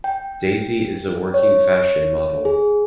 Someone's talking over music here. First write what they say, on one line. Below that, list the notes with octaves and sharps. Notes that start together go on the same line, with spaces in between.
Daisy is a working fashion model.
G5
C#5
G#4